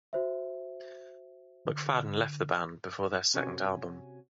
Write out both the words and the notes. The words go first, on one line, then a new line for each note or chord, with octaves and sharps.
McFadden left the band before their second album.
F#4 C5 E5
D3
C3 C#4 F#4 G#5